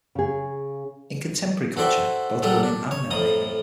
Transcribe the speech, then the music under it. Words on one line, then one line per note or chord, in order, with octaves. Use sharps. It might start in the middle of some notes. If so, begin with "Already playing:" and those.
In contemporary culture, both women and men make them.
C#3 G#4
F#4 A4 C5 D5 E5 G5
A#1 F#3 G3 D4 G4 A4
D4
C#5
F2 A2 A#5 D#6